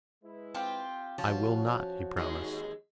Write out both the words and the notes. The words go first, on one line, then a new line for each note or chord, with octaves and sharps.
"I will not," he promised.
G#3 E4 B4
C4 F4 G4
F3 C#4 F#4
D#2 G#3